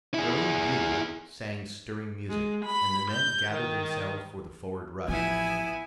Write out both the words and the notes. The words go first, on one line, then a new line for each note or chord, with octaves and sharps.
Their own bugle sang stirring music, and the men gathered themselves for the forward rush.
E4 G#4
G#3
B5
G6
D#3
A1 F3 B3 E4 G#5